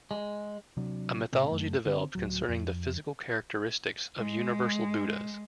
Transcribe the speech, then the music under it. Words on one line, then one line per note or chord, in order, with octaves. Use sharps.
A mythology developed concerning the physical characteristics of Universal Buddhas.
G#3
C3 F#3 D4
A2 C3 C4
F#2 A3
D3 C4
D1 F#3
F2
G#3